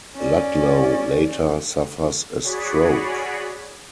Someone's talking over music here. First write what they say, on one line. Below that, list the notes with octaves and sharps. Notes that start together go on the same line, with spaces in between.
Ludlow later suffers a stroke.
C#4 D5
F#4 G#4 C#5 D5 B5